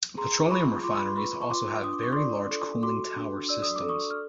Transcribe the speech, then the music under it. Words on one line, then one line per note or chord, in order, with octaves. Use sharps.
Petroleum refineries also have very large cooling tower systems.
G#4 A#5 C6
D6
F4 B5 C#6
F4 C6 D6
B5
C6
B4 B5 C#6
C#6
F4 C6 D6
D4 D#6
D6
C#6
D5 C6 D6
A4
F#4 C6 D6
D4
D5 E6
D#6
D6
A4
C#6 D#6
F6